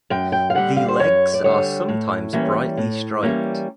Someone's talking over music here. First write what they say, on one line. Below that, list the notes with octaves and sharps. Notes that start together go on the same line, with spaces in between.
The legs are sometimes brightly striped.
F#2 G5
G5
F5
D3 G3 F#5
F5
C5
F#2 C#5
D5
D3 G3 C#5
A2
E3 G3 A#3 C#4
A2
E3 G3 A#3 C#4